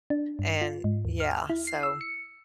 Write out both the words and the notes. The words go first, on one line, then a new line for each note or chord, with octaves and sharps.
And yeah, so.
D4
G2
F4
G#2
D#2
F6
E4
C7
E6
C#7